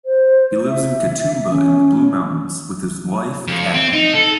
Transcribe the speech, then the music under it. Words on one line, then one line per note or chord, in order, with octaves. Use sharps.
He lives in Katoomba in the Blue Mountains with his wife, Cathie.
C5
E5
C#4
F2
C4
D#4
A4